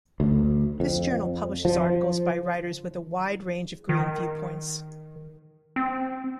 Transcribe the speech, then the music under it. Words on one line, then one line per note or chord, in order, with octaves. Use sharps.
This journal publishes articles by writers with a wide range of Green viewpoints.
D2
F2
F3
D#3
C4